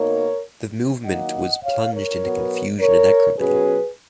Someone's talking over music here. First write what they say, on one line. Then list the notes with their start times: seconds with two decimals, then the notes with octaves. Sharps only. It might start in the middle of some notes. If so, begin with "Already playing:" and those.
The movement was plunged into confusion and acrimony.
Already playing: B2 A#3 D#4 A#4 C#5
1.05 D#3 F#3 A#3 D#5 F#5
1.63 C#5 F5
1.92 A#4 C#5
2.21 B2 F#3 B3
2.79 A#4 C#5
3.37 B2 F#3 C#4 G#4 B4